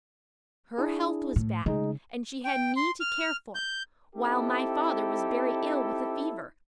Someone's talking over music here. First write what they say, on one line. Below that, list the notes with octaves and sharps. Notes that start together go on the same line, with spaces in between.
Her health was bad, and she had me to care for, while my father was very ill with a fever.
D4 E4 G#4
A2
C#3 G#3 D#4 G#4
G5
C6
F6
G6
C4 D#4 E4 G4 A4